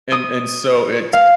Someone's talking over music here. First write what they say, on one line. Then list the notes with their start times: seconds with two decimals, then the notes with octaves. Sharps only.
and and so it's
0.12 D#6
1.13 F5